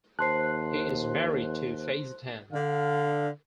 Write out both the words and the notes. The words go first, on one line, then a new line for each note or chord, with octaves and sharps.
He is married to Feyisetan.
D#2 C5 A5 C6 F#6 C7
D3 F5